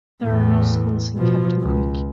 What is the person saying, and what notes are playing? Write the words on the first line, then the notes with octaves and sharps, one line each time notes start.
There are no schools in Captain Creek.
E2 A2
B2 F3
C#2